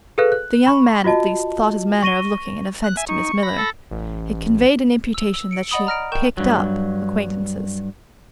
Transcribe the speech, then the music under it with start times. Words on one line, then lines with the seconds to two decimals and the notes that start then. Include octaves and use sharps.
The young man, at least, thought his manner of looking an offense to Miss Miller; it conveyed an imputation that she "picked up" acquaintances.
0.18 G#4 A4 B4 F5 F#6
0.32 F#6
0.66 B5 C#6
1.04 F4 F#4 D#5 A5
2.02 C#6 A#6 D#7 G7
2.84 F#6
2.97 E5 G#5
3.09 D#4 C#6
3.43 B5 A#6
3.58 A4
3.91 A1
5.14 E6 F7
5.34 E6
5.51 C#7 D7
5.71 D5 D#5 F#5 B5 D#6
5.87 A#5 F6 A#6 D7
6.12 A#4 G5 C#6 G6 E7
6.37 G2 F#3